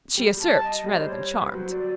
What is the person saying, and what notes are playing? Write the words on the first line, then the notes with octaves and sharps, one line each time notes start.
She usurped rather than charmed.
G3
A5
D#5
G3 D5
C5
C#5
B4
F#3 C5
D5